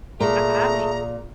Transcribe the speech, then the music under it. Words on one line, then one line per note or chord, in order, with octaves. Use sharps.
pick a hobby?
A#2 A3 G#4 A#5